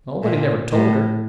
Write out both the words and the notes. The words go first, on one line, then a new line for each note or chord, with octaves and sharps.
"Nobody never told her."
A#2
A2